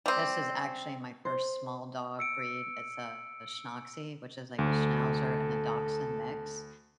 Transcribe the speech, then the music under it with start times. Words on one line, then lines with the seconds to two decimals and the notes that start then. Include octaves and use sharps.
this is actually my first small dog breed. It's a Schnoxie, which is like a Schnauzer and a Dachshund mix.
0.06 G3 C4
1.25 C5
2.19 E6 C#7 D7
4.59 D2 A4